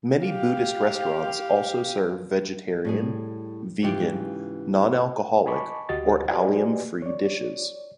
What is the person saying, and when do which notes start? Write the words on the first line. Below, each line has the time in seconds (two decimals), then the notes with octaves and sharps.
Many Buddhist restaurants also serve vegetarian, vegan, non-alcoholic or allium-free dishes.
0.24 G4 F5
2.85 A2 G3 G#4
3.82 G#2 C#3 E3 F4 G4
5.46 D#5 G#5 A5 B5 C#6 D6
5.89 D2 F#4 G4 D#5 A6
6.29 F#4 G4 B4 D5 D#5 G#5
7.02 C#5 D5